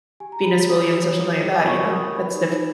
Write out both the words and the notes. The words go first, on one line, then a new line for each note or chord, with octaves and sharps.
Venus Williams or something like that. You know? That's diffi
G4 G#5
G4 A#5
B5
C#5
G4 D#6
G4
C#5
G4
C#5
G4
B5
A#4 C#6
A#4
D#6
G4
B4 B5
D#4
D#4